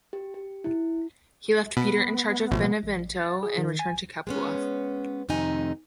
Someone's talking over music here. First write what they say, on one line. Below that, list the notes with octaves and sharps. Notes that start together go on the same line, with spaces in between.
He left Peter in charge of Benevento and returned to Capua.
G4
G4
E4
B2 B3 B5
A1 B2 F3 A3
A1
A6
G#4
D#3
G#5
G#3 B3 C#4
F2 C3 D#3 A3 D#4 G#5